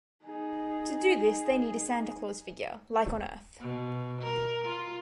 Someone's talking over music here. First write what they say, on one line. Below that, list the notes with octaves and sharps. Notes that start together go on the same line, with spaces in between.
To do this, they need a Santa Claus figure, like on Earth.
D#4 G#4
B2
A#4
F4